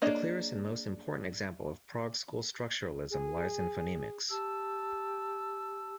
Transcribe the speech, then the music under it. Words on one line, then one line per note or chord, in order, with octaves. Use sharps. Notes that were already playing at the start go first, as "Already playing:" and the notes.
The clearest and most important example of Prague school structuralism lies in phonemics.
A#3 D4 G#4 C#5 D#5
G#4
G4 A5 E6